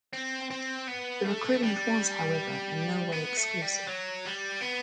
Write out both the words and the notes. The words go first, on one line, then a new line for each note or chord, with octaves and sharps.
The recruitment was however in no way exclusive.
C4
C4
B3
A3
G3
B3
A3
G3
F#3
G3
B3